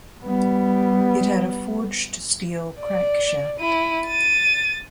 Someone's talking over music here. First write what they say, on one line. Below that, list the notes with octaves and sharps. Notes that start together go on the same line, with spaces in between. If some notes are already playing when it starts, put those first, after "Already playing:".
It had a forged steel crankshaft.
G3 B3
D5
E4 D#7
A6 D#7